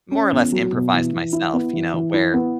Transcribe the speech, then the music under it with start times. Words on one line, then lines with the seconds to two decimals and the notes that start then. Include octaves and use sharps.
more or less improvised myself, you know, where
0.12 C#4
0.32 E2
0.52 F#3
0.72 B2
0.93 E3
1.13 E3
1.33 E4
1.54 B3
1.73 E3
1.94 E3
2.14 E4
2.34 B3